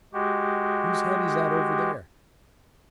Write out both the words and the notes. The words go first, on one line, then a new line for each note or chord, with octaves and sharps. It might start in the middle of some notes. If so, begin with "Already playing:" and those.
"Whose head is that over there?"
G#3 F#4 G4